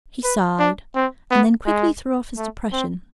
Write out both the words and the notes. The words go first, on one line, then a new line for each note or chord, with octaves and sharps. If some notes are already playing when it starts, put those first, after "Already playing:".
He sighed, and then quickly threw off his depression.
B4
D4
C4
B3
G#3
A3
C4